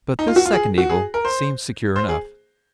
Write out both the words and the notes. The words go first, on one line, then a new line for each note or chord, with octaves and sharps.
But this second eagle seemed secure enough.
D#4
F4
F#4
F4
G#4
F#4
G#4
A#4
C5
C5
G#4